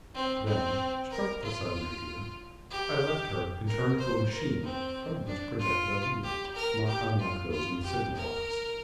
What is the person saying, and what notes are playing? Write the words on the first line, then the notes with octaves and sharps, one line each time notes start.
Then, struck with a sudden idea, I left her and turned to a machine from which projected a lever not unlike those in a signal-box.
C4
C4
A#4
F4
G4
A#4
C5
A#4
C4
D4
F4
G4
A#4
G4
F4
F4
G4
A#4